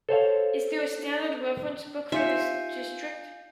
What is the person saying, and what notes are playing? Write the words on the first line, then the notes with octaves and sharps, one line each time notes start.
Is there a standard reference book for this district?
A4 C5 C#5 F5
D#4 F4 G4 E5 F5 G#5 G6 C#7